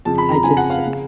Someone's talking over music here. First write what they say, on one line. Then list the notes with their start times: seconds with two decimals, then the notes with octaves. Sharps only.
I just
0.05 F2 C#3 F3 A5
0.18 B5
0.32 A#5
0.44 F2 C#3 F3 G#5
0.57 F#5
0.70 F5
0.86 C#3